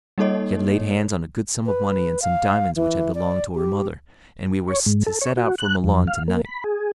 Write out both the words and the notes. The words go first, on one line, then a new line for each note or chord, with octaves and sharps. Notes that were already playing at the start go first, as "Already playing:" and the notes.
She had laid hands on a good sum of money and some diamonds which had belonged to her mother, and we were to set out for Milan to-night.
G3 A#3 D#4 A4 C#5 D#5
B4
F5
E3
D5
G4
C#5
G#2
A4
C#5
F#4
F#6
F2
F5
A#3
B5
G#4